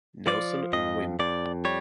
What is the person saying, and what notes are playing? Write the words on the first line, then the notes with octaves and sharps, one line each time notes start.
Nelson and Wm.
F3 D5
F2 D#5
F2 D5
G3 C#5